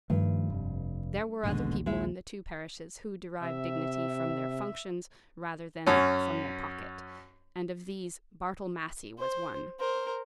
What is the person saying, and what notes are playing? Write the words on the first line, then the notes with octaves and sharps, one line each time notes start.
There were other people in the two parishes who derived dignity from their functions rather than from their pocket, and of these Bartle Massey was one.
G2 D#3 F3 A3
F1
A#1 D#2 B2 D3 G#3
G#3 E4 E5
C3 E5
F#2 C#4
C5
A#4 C5